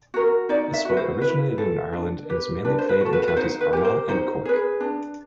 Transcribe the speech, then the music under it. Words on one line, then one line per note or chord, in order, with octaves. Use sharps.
The sport originated in Ireland and is mainly played in counties Armagh and Cork.
F#4 A#4
D#4 D5
E5
F#4 B4
C5
E4 B4
A4
D4
G4 B4
D4 B4
C5
B4
F#4 A4
B4
B4
D#4 C5
B4
G4 A#4
C5
D#4 C5
G#4 B4
D4